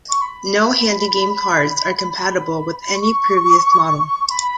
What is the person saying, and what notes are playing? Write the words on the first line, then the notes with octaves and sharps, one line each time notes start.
No HandyGame carts are compatible with any previous model.
C#6
B5
C#6
B5